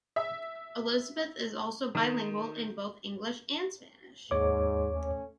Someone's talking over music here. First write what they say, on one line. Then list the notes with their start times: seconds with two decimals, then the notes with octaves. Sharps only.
Elizabeth is also bilingual in both English and Spanish.
0.16 E5
1.95 D#3
4.31 D#2 G#2 C#5 D6
4.94 A3 C#4